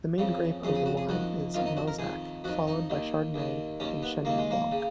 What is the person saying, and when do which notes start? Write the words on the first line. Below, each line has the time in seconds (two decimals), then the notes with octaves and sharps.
The main grape of the wine is Mauzac, followed by Chardonnay and Chenin blanc.
0.18 F2 C#3
0.63 F2 C#3 G#4
0.75 G#4
0.86 F#4
0.97 G#4
1.09 F2 D#3 F#4
1.54 F2 D#3 F4
1.66 D#4
1.77 F#4
1.88 A#4
1.99 F2 D#3 G#4
2.44 F2 F#4
2.48 D#3
2.67 D#4
2.90 D#2 D#3
3.34 D#2 D#3
3.80 D#2 D#3 C#4
4.03 B3
4.25 D#2 D#3 A#3
4.38 G#3
4.51 A#3
4.71 C#3